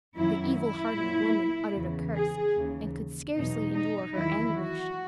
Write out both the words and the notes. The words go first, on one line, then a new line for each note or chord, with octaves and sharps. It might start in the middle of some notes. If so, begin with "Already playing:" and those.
The evil-hearted woman uttered a curse, and could scarcely endure her anguish.
F#2 D#3 F#3 E4
E4
A#2 F#3
E2 C#3 E3
G#4
D#2 C#3 E3
E2 B2 F#3 D#4
D#4
E2 D#3 F#3 E4
F#4